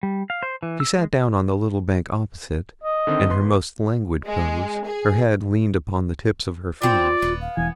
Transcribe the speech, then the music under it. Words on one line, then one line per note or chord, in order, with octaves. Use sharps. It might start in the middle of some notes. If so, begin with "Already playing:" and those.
She sat down on the little bank opposite, in her most languid pose--her head leaned upon the tips of her fingers.
G3
F5
C5
E3
E6
G#3
D#5
D3 D#3 C4
G1 B4 C6
G#3
G#4
B3 C4 F4 D5
D#1 B3
F5
E1 E3 G#5